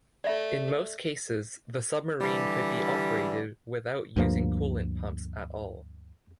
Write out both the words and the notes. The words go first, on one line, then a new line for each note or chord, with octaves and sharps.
In most cases the submarine could be operated without using coolant pumps at all.
A3 D5 E5
D3 E3 G3
D2 G2 F3 A#3